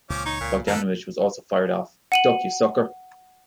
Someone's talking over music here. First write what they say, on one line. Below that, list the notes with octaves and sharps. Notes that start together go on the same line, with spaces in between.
Bogdanovich was also fired off Duck, You Sucker!
C#2 A#2 F3 C#4 D6
D#4 C#5
C#2 A#2
F#2 D#3 F3 A#3 A4 B4
F#5 D#7 F#7